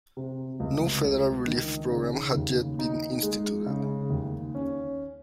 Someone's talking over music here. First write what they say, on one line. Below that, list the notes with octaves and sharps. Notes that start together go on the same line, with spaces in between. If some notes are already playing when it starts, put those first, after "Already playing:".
No federal relief program had yet been instituted.
C3
C#2
C#2
D#3
C#3
D#2
D#4
G#3
C#3
D#2
C#4